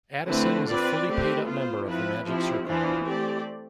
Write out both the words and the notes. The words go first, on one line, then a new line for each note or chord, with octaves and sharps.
Addison is a fully paid-up member of The Magic Circle.
D3 A3 C4 E4 B4
C4 F4 B4 D5
A3 C4 G4 B4
B3 F4 C5
F3 C4 E4 B4
F3 C4 E4 G4
E3 B3 D4 F4 C5
A3 C4 G4 D5